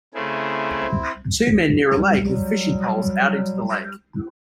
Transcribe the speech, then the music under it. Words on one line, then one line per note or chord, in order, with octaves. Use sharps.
Two men near a lake with fishing poles out into the lake.
C#3 A3 C4 E4 G#4
F#3 G3